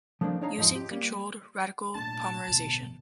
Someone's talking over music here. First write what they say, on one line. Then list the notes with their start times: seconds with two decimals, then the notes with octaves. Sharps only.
Using controlled radical polymerization.
0.21 F3 A3 A#3 C4 D4
0.41 D4 D#4 C#5 F5 A#5
0.57 E2 G#2 F3 G#3
0.76 G4
0.91 G3 A#3
1.95 A#2 A3 D4 A5
2.48 D1 G1 B2